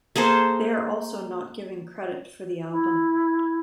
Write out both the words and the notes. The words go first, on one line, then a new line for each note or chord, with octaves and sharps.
They are also not given credit for the album.
A#3 G#4 A4 C5
E4